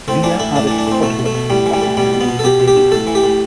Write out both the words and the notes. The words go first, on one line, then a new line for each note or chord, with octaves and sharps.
Via Aristotelis passes through this area.
A2 C4
E3 D4
A2 E4
A2 D4
D4
E3
D4
A2 C4
B2 A3
B2
A3
B2
A2 G3
E3
G3
A2
B2 G3
B2
B3
B2
A4
B2 G4
B2
G4
B2
A2 A4
E3
G4
A2